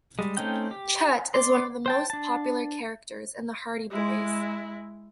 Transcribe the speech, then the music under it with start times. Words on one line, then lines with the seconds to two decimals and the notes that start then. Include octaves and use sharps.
Chet is one of the most popular characters in The Hardy Boys.
0.19 G3 G#3
0.37 A3 C4 C#4 D#4 G5
0.71 G4
1.34 D5 C6
1.86 C5 G5 A5
2.10 D4 A5
3.90 G#3 E4